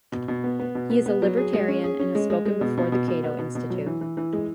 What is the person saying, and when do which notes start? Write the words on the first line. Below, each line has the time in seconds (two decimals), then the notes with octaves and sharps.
He is a libertarian and has spoken before the Cato Institute.
0.12 B2
0.28 B2
0.44 B3
0.60 B3
0.75 B2
0.90 B3
1.06 B3
1.22 F#3
1.37 G#4
1.53 G#3
1.68 C#4
1.84 G#4
1.99 C#4
2.15 G#3
2.30 G#3
2.45 G#3
2.61 B2
2.77 B2
2.92 B2
3.08 B2
3.24 B3
3.39 B2
3.55 B2
3.70 F#3
3.86 E3
4.01 E3
4.17 E3
4.33 G#3